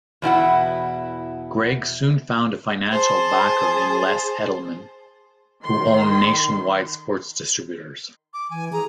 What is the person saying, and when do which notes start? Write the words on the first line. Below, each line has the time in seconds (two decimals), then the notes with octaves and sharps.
Greg soon found a financial backer in Les Edelman, who owned Nationwide Sports Distributors.
0.22 E2 B2 E4 F#5
2.92 G#4 C5 A5
5.64 D#3 C6
8.34 D6
8.50 E3 G#5
8.73 G#4 A#5